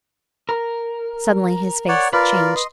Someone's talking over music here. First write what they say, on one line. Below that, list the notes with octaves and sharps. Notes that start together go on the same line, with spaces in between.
Suddenly his face changed.
A#4
C#5 D5 F#5
F4 A#4 B4 D5
D#5 C6